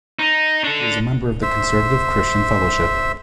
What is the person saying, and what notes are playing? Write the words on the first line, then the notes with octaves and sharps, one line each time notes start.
She is a member of the Conservative Christian Fellowship.
D#4
D4 A4
C5 E5